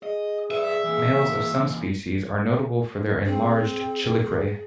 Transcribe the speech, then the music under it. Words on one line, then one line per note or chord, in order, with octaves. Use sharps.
Males of some species are notable for their enlarged chelicerae.
G#4 D#5
B4 D5 E5
E3 A#3
C4 G#4